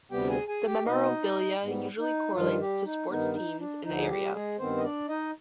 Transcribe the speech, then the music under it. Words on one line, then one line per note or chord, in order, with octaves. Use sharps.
The memorabilia usually correlates to sports teams in the area.
D2 C3 G3 B3 G4 G5
G#4 G#5
G#4 G#5
G4 G5
B2 B3 D#4 D#5
G#2 G3 B3
D#4
G2 D#3 F3 G3 F4
G3 G4
D#4
G2 D#3 B3 D#4
D#4
D4
D2 D3 F3 D#4
G#4
G3 G4
G#3 G#4
G2 D#3 B3 C4 C5
D#5
D4 D5
D#4 D#5